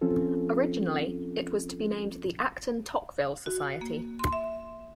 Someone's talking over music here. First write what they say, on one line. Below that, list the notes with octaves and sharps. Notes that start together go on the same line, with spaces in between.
Originally, it was to be named the Acton-Tocqueville Society.
F3 C4 C#4 F4 A4
F#4
A#3
C6
E5